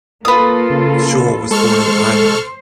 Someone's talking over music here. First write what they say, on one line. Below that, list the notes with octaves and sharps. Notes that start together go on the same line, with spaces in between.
Shaw was born in Ireland.
A#3 F4 A4 B4 D#6
C#3
G#3 A4 C5 C#6 F6